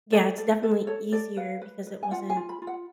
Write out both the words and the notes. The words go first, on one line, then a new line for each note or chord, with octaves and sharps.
yeah, it's definitely easier because it wasn't,
A4 D5
A4 D5
A4 B4
A4 C#5
A4 D5
B4 F5
B4
B4
G#5
F4 F#5
G#5
F4
B5
F4
F#5